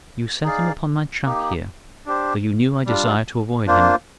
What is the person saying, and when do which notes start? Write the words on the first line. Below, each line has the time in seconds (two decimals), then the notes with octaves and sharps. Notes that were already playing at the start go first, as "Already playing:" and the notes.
"You set him upon my track here, though you knew I desired to avoid him."
0.44 D#4 G#4 D5 F5
1.24 A#3 D#4 G4
2.06 D4 G4 C5
2.86 G3 D4 F4
3.67 A#3 D4 F4 C5